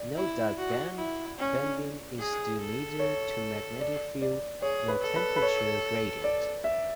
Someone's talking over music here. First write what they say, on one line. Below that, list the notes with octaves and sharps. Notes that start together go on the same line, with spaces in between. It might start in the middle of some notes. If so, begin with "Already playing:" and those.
Note that band bending is due neither to magnetic field nor temperature gradient.
Already playing: D5
E4
F#4
E4
C#4
G#4
A4
C#5
D5
D5
G#4 C#5
B4
A4
B4
B4
C#5
D5
E5